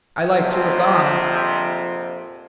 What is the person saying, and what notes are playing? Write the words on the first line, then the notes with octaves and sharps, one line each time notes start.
I like to look on.
A#1 F2 C3